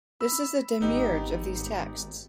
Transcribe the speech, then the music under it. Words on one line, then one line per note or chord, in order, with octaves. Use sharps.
This is the demiurge of these texts.
B5 E6
G#1 B3 D#4 G4